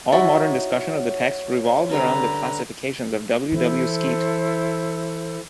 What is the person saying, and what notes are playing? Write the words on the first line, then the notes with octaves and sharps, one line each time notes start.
All modern discussion of the text revolves around the classifications of W. W. Skeat.
D#4 E4 F#4 C#5 E5 F#5
D3 G3 C#4 B4 A#5
E3 E4 A4 C5